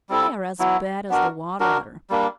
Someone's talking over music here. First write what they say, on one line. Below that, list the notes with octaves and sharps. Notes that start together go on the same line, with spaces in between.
They are as bad as the Water-Adder.
G3 C4 E4 A4
F#3 B3 E4
B3 D4 F#4 A#4
D4 F#4 A#4
G3 A#3 D4